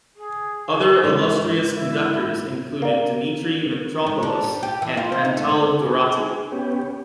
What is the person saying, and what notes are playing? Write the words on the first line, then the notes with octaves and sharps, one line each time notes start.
Other illustrious conductors included Dimitri Mitropoulos and Antal Dorati.
G#4
G#2 E3
E4
A#3 D5
G#2
D4
G3
G4
E3
F4
C5
D#4
A3
G#2
G#4
B3 C#4 G4